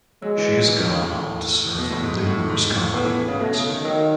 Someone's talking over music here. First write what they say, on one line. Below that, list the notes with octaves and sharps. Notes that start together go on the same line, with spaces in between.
She has gone on to serve on numerous company boards.
F#3 G#3
E3
F#3
E3
D#3
C#3
A2
B2
A2
G#2
A2
G#2
A2
A2 B3
E3
C#3
B2 A3
C#3
D#3
D#3 F#3